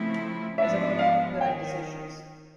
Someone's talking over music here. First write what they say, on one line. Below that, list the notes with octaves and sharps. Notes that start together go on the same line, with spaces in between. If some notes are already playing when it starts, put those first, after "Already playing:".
It's about making the right decisions.
Already playing: C#3 F3 A3 C4 E4
G#2 F3 G#3 B3 D4 E5
F5
D#3 G5